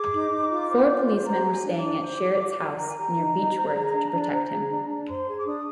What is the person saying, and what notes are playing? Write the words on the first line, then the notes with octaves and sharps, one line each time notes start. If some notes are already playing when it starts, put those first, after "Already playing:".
Four policemen were staying at Sherritt's house, near Beechworth, to protect him.
Already playing: G#4 D6
D#4
D#4
F4
C5
F4
C5
C5 A#5
G#4
G#5
D4
D6
D4
C5
G#4
F4
F4
A#4 A#5
G#5
G4 A#5
D#4
D#4
C5
G#4
D4
D4
C5
G#4
D4
D4
C5 C6
G#4
D6
D4 D#6